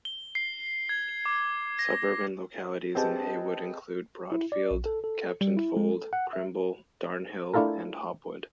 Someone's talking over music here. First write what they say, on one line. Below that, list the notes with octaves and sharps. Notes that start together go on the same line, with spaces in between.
Suburban localities in Heywood include Broadfield, Captain Fold, Crimble, Darnhill and Hopwood.
G7
C7
G#6
D6
A#6
C4 G4 G#4 B4 D#5 A5
E4
D5
A#1
A4
A4
G3
E4
G#3
A4
F#5
E5
A3 D4 E4 F4 A4 A#4